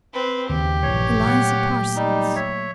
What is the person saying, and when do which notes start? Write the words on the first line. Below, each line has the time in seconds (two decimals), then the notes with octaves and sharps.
"Eliza Parsons."
0.13 C4 B4
0.49 D#2 C#3 G4
0.83 A#1 G2 E3 C#5
1.26 A#2 F#3 A3 C#5 F#5
1.96 G3 D#4
2.36 C#5 E5